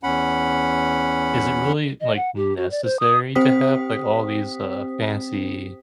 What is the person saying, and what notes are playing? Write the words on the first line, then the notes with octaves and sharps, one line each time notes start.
is it really, like, necessary to have, like, all these, uh, fancy,
E2 C#4 F#5 B5
D#5
F#5
G4
F#4
D5
C5
D#6
C4 G4 C5 G5 D#6 B6